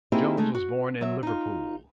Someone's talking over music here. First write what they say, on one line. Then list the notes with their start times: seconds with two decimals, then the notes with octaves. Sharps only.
Jones was born in Liverpool.
0.12 A#3 C4 D#4 E4 G4 G#4
0.37 G#3 A3 D#4 G#4
0.55 F#4
1.01 F#3 E5
1.23 D#4 F4